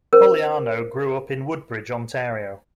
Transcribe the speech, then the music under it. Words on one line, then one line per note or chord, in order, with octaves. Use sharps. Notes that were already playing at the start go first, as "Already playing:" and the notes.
Cogliano grew up in Woodbridge, Ontario.
C#4 A#4 C5